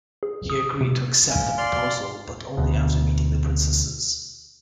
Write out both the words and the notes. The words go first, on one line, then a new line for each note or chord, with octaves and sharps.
He agreed to accept the proposal, but only after meeting the princesses.
G#4
D#6
C3
F5 G#5
D5 C6 F6
D2 B2